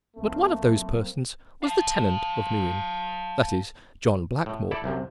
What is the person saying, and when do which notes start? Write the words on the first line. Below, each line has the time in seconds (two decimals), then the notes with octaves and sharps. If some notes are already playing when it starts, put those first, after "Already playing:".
But one of those persons was the tenant of New Inn--that is, John Blackmore.
0.16 B1 A3 A#3 C4
1.63 F5 A5
4.46 A2
4.71 E4 A4 D5
4.84 C2 F#2 C3